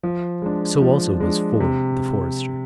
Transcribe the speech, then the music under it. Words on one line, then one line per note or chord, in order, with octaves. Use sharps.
So also was Ford, the forester.
F3
G#3 D4
F3
G#3 D4
C3